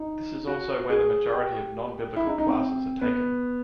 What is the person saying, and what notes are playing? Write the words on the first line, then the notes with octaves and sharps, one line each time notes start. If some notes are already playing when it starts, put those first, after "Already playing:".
This is also where the majority of non-biblical classes are taken.
Already playing: D#4
F#4
G#4
G4
E4
D#4
D#4
C4
B3